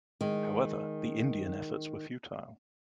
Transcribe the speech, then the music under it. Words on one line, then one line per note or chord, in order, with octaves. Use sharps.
However, the Indian efforts were futile.
D#3 G#3